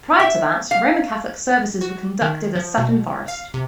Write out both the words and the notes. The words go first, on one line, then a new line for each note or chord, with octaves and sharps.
Prior to that, Roman Catholic services were conducted at Sutton Forest.
E5
F5
F#4
D#3
F3
B2
F5
C3